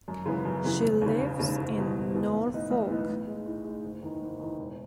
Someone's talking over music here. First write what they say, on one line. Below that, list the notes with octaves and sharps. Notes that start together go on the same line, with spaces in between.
She lives in Norfolk.
F#2
C#3 E3 B3
F#2
C#3 E3 B3
E1
D#2 C#3
E1
D#2 C#3
F#1
E2 B2
F#1
E2 B2
B1
A2 E3 B3 D#4
B1
A2 E3 B3 D#4
A2
G#3 D#4
A2
G#3 D#4
F#1
E2 D#3
F#1
E2 D#3
E1